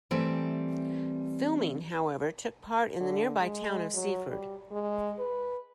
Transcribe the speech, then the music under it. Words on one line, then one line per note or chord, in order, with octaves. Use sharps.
Filming however, took part in the nearby town of Seaford.
E3 G3 A3 C4 E5
D3
G#3
F#3
G3
G#3
B4